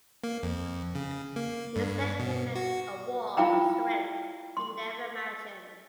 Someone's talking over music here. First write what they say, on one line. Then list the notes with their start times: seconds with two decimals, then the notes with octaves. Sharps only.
Instead he met a wall of strength he never imagined.
0.24 A#3
0.43 F2
0.95 C#3
1.36 A#3
1.76 G2
2.20 B2
2.55 F#4
3.37 E4 F4 F5 G5 A#5
4.57 C6